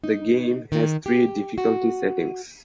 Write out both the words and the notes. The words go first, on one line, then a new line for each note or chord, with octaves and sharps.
The game has three difficulty settings.
D#4
D#3
G4
F#4